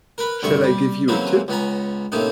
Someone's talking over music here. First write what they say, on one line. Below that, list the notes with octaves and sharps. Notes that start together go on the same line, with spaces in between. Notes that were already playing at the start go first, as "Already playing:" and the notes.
Shall I give you a tip?
A#4 B4
D2 G2 C3 C#6
G3
C#3 E3 F#3 A#3 C4 C#4
C#2 B3 C#4 A#5
A2 C3 A#3 C#4 D#4